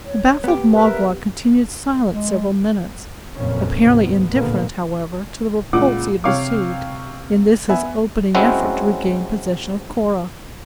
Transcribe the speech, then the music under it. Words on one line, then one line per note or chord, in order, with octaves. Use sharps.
The baffled Magua continued silent several minutes, apparently indifferent, however, to the repulse he had received in this his opening effort to regain possession of Cora.
C#5
B3 G4
A#4 B4 E5
G#3
F#1 F2 A#2 A#3 C#4
D2 G#2 C3 B3
A1 D#2 A#2 D3 A#3 B3
C#2 A#2 F#5 D6
C3 C#5 F5 G5 C#6 D6
B3 E5 G#5
F#3 G#3 C4 C#4 E4 F#4